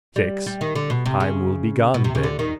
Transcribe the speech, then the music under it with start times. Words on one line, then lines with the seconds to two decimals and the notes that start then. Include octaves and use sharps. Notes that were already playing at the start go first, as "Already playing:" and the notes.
Six. Time will be gone then.
0.16 G3
0.46 G3
0.61 D#3
0.75 D3
0.90 B2
1.06 C3
1.20 C#3
1.94 B2
2.04 C3
2.15 C#3
2.23 D3
2.39 D#3